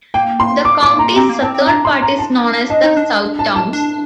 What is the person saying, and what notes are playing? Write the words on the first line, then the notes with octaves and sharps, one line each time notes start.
The county's southern part is known as the Southtowns.
A#3 G5
C6
D6
D6
A#5
C4 A#5
A#3
C4 A5
C4
D4 A#5
C6
A#5
A5
D4 D#5
D#4
D4
A5
A5
D4